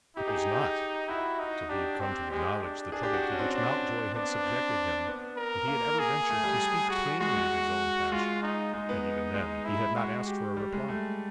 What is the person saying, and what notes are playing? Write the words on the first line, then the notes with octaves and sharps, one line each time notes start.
It was not till he had come to acknowledge the trouble to which Mountjoy had subjected him that he had ever ventured to speak plainly of his own passion, and even then he had not asked for a reply.
D#4 G4
G#4
G4
E4 F#4
D#4
D4 G4
C4
G#3 G4
D4
D4 G#4
G4
F#4
F#4
C#4
C4
D4
B3 D4
C4
B3
A#4
A#3
G#4
A3
G3
F#4
G#3 F#4
G#3
G#3 F4
D#4
G#3 D#4
B3
G#3
E4
G#3 F#4
G4
G3
G#3
A3